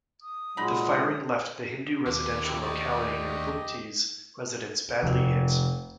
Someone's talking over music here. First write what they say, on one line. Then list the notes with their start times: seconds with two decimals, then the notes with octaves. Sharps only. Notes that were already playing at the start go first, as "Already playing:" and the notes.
The firing left the Hindu residential locality near Bugti's residence badly hit.
0.22 D#6
0.57 A#2 F#3 G#3 D#4 B5
2.06 D#2 D3 G4
2.44 C4 E4
2.62 A3 G4 D5 D#5
5.02 F1